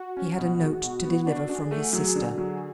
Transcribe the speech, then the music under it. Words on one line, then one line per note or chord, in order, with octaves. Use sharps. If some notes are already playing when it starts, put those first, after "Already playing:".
He had a note to deliver from his sister.
Already playing: F#4
C#4
B2
G#3
B2
B3
D4
D4 G#4
A3 F#4
F#3 G#4
D3
F#3